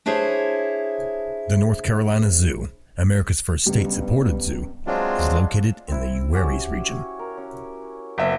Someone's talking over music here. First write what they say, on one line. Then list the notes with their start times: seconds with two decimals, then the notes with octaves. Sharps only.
The North Carolina Zoo, America's first state-supported zoo, is located in the Uwharries region.
0.06 D4 E4 G#4 C5 C#5
3.66 F#1 C#2 G2 G3 B3
4.87 F#3 G#3 C4 D4 F4
5.88 C4 E4
6.33 C#4 F#4 G4
7.19 A#4
7.38 C#4
8.18 F#1 B3 E5